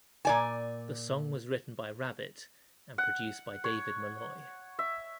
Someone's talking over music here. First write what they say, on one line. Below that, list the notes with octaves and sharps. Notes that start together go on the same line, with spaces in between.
The song was written by Rabbitt and produced by David Malloy.
A#2 D5 G#5
F#5
C#5
E5